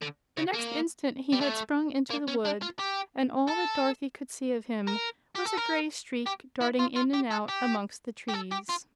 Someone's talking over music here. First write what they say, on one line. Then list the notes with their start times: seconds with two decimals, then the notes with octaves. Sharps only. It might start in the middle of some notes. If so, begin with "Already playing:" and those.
The next instant he had sprung into the wood, and all that Dorothy could see of him was a gray streak darting in and out amongst the trees.
0.02 D3
0.37 C#3
0.54 A#3
1.32 G3
1.41 A3
2.10 A#3
2.28 C#4
2.45 D4
2.62 F4
2.79 G4
3.49 A4
4.88 A#4
5.35 G4
5.45 A4
5.57 A#4
6.26 G4
6.61 E4
6.79 F4
6.96 F4
7.13 G4
7.30 A4
7.48 G4
8.29 G4
8.34 A4
8.52 G4
8.69 F4